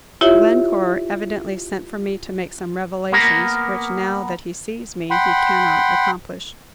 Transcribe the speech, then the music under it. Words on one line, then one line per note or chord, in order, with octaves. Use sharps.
Glencore evidently sent for me to make some revelations, which, now that he sees me, he cannot accomplish.
E4 F4 G4 C#5 E5
A#3 B3 A#4
F#5 G5 B5 C6